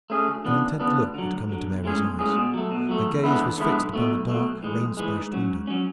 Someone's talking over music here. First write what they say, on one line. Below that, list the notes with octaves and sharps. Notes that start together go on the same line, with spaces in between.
An intent look had come into Mary's eyes; her gaze was fixed upon the dark rain-splashed window.
A3 C#4 G#4
D2
C#3 E3 B3 D4
D2
C#3 E3 B3 D4
D2
D3 F#3
D2
D3 F#3
B1
A2 G#3 C#4 G#4
B1
A2 G#3 C#4 G#4
B2
F#3 A3
B2
F#3 A3
E2
D3 G#3 B3 E4
E2
D3 G#3 B3 E4
B1
B2 A3
B1
B2 A3
B1
A2 E3 G#3
B1
A2 E3 G#3
G#2
F#3 C#4
G#2
F#3 C#4